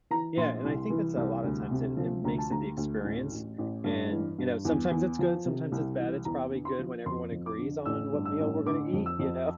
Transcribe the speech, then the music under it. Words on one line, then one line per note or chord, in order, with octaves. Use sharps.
Yeah, and I think that's a lotta times it it makes it the experience and, you know, sometimes it's good, sometimes it's bad. It's probably good when everyone agrees on what meal we're gonna eat, you know?
E3 A#5
A#1 C6
C2
E3
C2
D2
C3
F3
D2 A#5
A5
D2 A#5
D2
A1
A1
A1
G2
E3
G2
E2
E2
F3
C3
C2
E3
E2 A#5
D3
C6
F3
F2 C6
F2
D6
D3
A1 E6
G2
E6
A1
D3 D6
F2
E6
F2